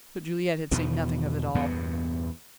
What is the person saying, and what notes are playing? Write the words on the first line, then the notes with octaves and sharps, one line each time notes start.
But Juliette had seen nothing of it all.
E2 B2 D#3 E3
E2 G2 A#2 B3